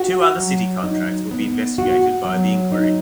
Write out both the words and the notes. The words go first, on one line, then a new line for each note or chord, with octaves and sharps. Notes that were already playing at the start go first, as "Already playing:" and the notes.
Two other city contracts will be investigated by the Inquiry.
Already playing: F#4
F#3
D#4
B3
F#4
F#3
D#4